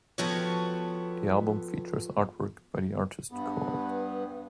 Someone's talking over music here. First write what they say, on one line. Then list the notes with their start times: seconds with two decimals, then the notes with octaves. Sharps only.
The album features artwork by the artist Coop.
0.18 F3 B3 F#4 G4 A4 C#5
3.32 G2 B3